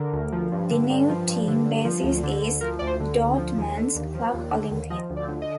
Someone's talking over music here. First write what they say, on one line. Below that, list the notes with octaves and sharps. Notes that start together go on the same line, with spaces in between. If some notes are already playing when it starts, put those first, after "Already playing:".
The new team basis is Dortmund's Club Olympia.
Already playing: D3 A#4
D2
F3
G2
D3
G2
F3
G2
D3
G2
F3
D2
D3
D2
F3 A#4
D2 D5
C5
D3
D2
F3
D#2
D3
D#2
F3
D#2
D3
D#2
F3 D#5
D2
D5
D3
D#5